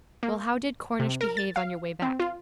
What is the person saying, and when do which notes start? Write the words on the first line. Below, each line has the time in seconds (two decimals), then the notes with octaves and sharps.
'Well, how did Cornish behave on your way back?'
0.23 A#3
1.00 C3
1.21 A#4
1.37 A6
1.56 F5
2.02 C4
2.20 F4